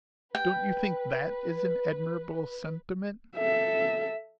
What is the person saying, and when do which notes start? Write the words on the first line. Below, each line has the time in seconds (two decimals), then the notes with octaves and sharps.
"Don't you think that is an admirable sentiment?"
0.35 B4 G5
3.37 A4 E5